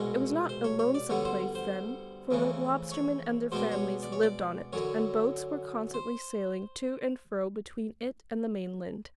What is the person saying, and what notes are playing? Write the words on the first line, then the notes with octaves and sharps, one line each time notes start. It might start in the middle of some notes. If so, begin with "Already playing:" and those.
It was not a lonesome place then, for the lobstermen and their families lived on it, and boats were constantly sailing to and fro between it and the mainland.
Already playing: C2 B2 G#3 C#5
C5
C#5
C#5
D5
D2 D3 G3 B3 C#5
C5
C5
F2 C#3 E3 A3
C#5
B2 G#3 B3 D4 C5
C#5
D5
C#5
D5
F#2 D3 F#3 C#5
C5